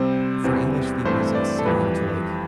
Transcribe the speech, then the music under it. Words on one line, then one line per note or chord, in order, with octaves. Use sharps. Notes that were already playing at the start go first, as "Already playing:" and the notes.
for English speakers, it's similar to, like,
Already playing: C3 G3 C4 C5
E2 C3 E3 G3 C4
G2 E3 A3 C4 C5
D5
A4
F2 E3 G3 B4